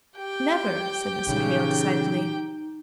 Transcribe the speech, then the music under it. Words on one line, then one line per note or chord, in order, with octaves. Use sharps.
'Never!' said Mr. Hale, decidedly.
G4 G5
A#2 C#3 E3 D#4